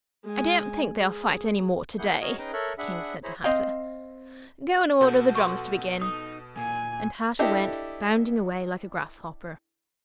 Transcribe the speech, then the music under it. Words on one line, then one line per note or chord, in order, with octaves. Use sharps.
'I don't think they'll fight any more to-day,' the King said to Hatta: 'go and order the drums to begin.' And Hatta went bounding away like a grasshopper.
G#3 G#5
G#4
A#3 E4 G#4 F#5 G6
F#4 G#4 A#4 C#5 D#5 C#6
C#4 D#4 G#4 B4 G5 A#5
A4 A#4 C#5 E5 F#6
D4 G#4 E5 F#5 B5
E4 G#4 C5 C#5 A#5 B5
C4 D#5 F5 G5
B2 F#4 A4 G6
C6 C#6
D#4 D#6
A#2 G#5
D4 E4 G4 A4 D#5 E5